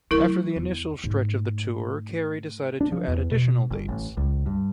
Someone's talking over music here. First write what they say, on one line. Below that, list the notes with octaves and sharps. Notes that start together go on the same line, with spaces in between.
After the initial stretch of the tour, Carey decided to add additional dates.
F#3 A3 E4 A#4 C#6
E2
G#2 A3
D4
F3
E2
B2
G1
A1
C#2
G2